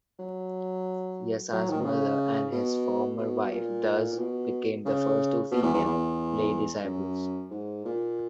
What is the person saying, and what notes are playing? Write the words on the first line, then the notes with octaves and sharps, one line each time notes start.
Yasa's mother and his former wife thus became the first two female lay disciples.
F#3
F#3
D#3
B2
C#3
B2
B2
A#2
A#2
B2
C#3
B2
E2
E2
E2
F#2
G#2
A#2